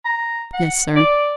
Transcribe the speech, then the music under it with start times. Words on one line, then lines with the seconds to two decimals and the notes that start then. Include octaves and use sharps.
"Yes, sir."
0.05 A#5
0.54 F#5
0.96 D5